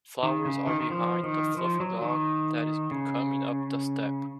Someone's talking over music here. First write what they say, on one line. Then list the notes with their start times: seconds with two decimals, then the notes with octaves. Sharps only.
Flowers are behind the fluffy dog that is coming up the step.
0.23 D#3
0.45 C#3
0.67 D#3
0.80 D#3
0.90 F3
1.24 D#3
1.57 F3
1.80 F#3
2.02 D#3
2.91 C#3